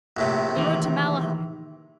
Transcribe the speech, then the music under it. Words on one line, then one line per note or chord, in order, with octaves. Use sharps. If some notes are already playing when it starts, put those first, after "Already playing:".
On the road to Malahide.
A#1 A2 C3
D#3 E3